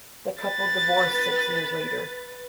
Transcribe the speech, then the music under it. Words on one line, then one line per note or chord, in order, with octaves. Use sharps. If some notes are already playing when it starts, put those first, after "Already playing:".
The couple divorced six years later.
B4 A6